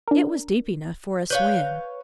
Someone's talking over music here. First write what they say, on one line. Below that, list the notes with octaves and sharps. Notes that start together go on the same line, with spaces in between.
It was deep enough for a swim.
D4 A#4
B4 C#5 F5 F#6 G6